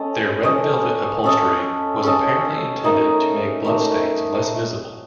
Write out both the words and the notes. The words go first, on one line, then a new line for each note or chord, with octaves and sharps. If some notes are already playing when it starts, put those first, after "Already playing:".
Their red velvet upholstery was apparently intended to make bloodstains less visible.
Already playing: C#4 A4 D#5
C#4 A4 D#5
C#4 A4 D#5
C#4 A4 D#5
A3 D#4 A#4
A3 D#4 A#4